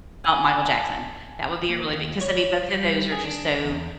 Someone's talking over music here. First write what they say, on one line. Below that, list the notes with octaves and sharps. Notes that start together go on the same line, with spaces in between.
ho uh, Michael Jackson. That would be a really big 'cause I mean, both of those are just so
G#5
A5
A#3
D#2
C#5
G3
G#4
D4
E2